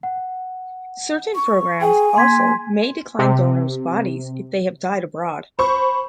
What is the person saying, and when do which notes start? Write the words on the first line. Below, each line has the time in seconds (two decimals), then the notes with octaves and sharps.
Certain programs also may decline donor's bodies if they have died abroad.
0.03 F#5
1.35 C#6
1.81 G#4 G5 G#5
2.16 A#3 C6 G#6 B6
3.19 C3
5.59 C5 B5 C#6